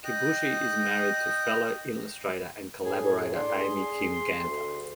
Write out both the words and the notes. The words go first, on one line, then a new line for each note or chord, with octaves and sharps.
Kibuishi is married to fellow illustrator and collaborator Amy Kim Ganter.
D#5 G5 F#6
A2 G#4
D4 C6
G#4
D2